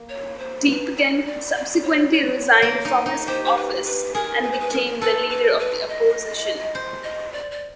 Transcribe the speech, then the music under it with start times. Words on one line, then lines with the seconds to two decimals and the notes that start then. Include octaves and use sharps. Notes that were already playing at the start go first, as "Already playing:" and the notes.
Diepgen subsequently resigned from his office and became the leader of the opposition.
Already playing: A#3
0.09 C#5
0.39 C5
0.67 B4
0.96 C#5
1.26 D5
1.54 D5
1.83 C#5
2.12 C#5
2.62 A#3
2.85 D#4
3.06 D#4
3.28 G4 C5
3.45 C5
3.56 B4
3.85 B4
4.14 G#4 A#4
4.43 B4
4.52 C5
4.60 B4
4.72 A#4
5.01 A4 B4
5.30 B4
5.59 B4
5.88 D#5
6.75 C5
7.04 D#5
7.32 D5
7.51 D5